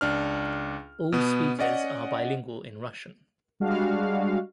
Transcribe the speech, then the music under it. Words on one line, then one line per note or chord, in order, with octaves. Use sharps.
All speakers are bilingual in Russian.
C#2 D4 F6
B2 B3
C#4 D5 D#5 F#5
G3 G#3 D4 F#4 F5